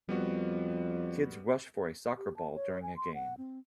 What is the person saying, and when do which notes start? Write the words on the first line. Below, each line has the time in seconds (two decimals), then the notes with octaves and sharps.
Kids rush for a soccer ball during a game.
0.09 F2 G3 B3 F#4
2.18 G4
2.37 A5
2.55 C#5
2.82 G#5
2.97 C6
3.14 F#5
3.38 C4